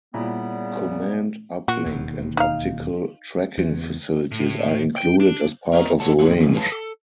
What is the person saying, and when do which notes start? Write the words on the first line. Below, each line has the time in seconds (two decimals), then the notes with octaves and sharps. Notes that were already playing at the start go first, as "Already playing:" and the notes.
Command uplink and optical tracking facilities are included as part of the range.
0.14 A#2 C#3 G3 B3 E4
1.68 A#2 F#4
1.86 E1 D#2
2.37 D#4 F5
3.58 E2
4.32 A2
4.97 G5
5.20 D4
5.73 A#4 C#5 D#5 G#5 A#5
6.00 A4 C#5 F#5 A5
6.19 A2 A#3 D#4 F4 F#4 C#5
6.37 F3 C#4
6.54 G#4 B4 C#5 E5 F5 A5
6.72 A4